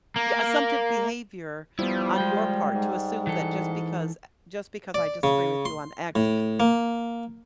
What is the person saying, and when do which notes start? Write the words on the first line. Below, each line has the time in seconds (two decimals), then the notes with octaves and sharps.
Yeah, assumptive behavior on your part to assume that just because, uh just because I disagree with you on x
0.16 A#3
1.79 F3 G3 B3 E4
2.18 G#3 G5
2.75 G#2
3.27 E3 A4
4.94 D5
5.23 C#3
5.65 C6
6.15 A2
6.60 A#3